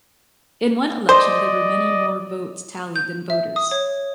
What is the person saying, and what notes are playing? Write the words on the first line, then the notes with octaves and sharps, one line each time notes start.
In one election there were many more votes tallied than voters.
C5 D5 D#5
G6
E5
D#6
C#5